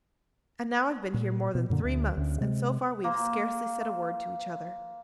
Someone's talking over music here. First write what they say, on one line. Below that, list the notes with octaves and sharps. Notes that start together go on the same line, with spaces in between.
And now I've been here more than three months, and so far we have scarcely said a word to each other.
A#2
B2
F#2 A#2 D3 A#3
D2
D2 C#4
C3 G#3
A#3 C5